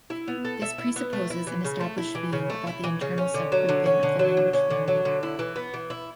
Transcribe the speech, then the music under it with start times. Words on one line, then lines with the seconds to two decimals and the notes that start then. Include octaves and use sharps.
This presupposes an established view about the internal subgrouping of the language family.
0.10 E4
0.28 B3
0.45 A4
0.62 E5
0.78 E4
0.96 B3
1.13 A3
1.30 E4
1.47 E3
1.64 C#3
1.81 A3
1.98 E4
2.15 E3
2.33 C#3
2.50 A3
2.67 E4
2.84 E3
3.01 C#3
3.18 C#4
3.34 D3
3.52 F#3
3.69 D3
3.86 C#4
4.03 D3
4.19 F#3
4.37 D3
4.53 C#4
4.70 D3
4.88 F#3
5.05 D3
5.23 E4
5.39 E3
5.56 B3
5.74 E3
5.90 E4